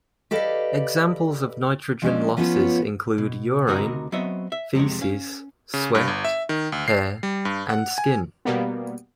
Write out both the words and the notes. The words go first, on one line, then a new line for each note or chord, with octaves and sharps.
Examples of nitrogen losses include urine, feces, sweat, hair, and skin.
G4 A4 B4 D5 D#5 F5
F3 G#3 C#4 D4
F3 B3 C#4 D4 F4 C#5
B2
D2 C3 D#4 F#4 A#4 B5
F#3 B3 C4 C#5 D#5 E5
E5
F2 C3 G#3 G4 C#5
C#4 C#5 F5
C#3
G2
G1
E5
D#3
D2
C7
G3
G2
F#5
G#5
B2 G3 A#3 B3